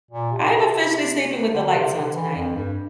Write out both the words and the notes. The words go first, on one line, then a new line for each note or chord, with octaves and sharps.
I am officially sleeping with the lights on tonight.
A#2
C3
D3
D3
C3
D3
E3
F2
G2